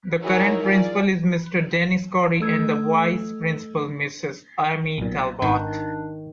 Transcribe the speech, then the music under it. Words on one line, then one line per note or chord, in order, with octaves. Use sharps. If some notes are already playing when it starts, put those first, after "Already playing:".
The current Principal is Mr. Dennis Corry and the Vice-Principal Ms. Amy Talbot.
D#4 E4 F#4 G#4 A#4 C#5
F4 G#4 D5
A3 A4 E6 G#6
B1 A#2
G#1 D#3 D4